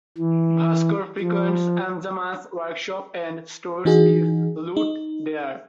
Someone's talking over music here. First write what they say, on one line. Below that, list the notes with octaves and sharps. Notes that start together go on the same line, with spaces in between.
Bhaskar frequents Anjamma’s workshop and stores his loot there.
E3
F3
E3 D#4 F#4 G#4
D#4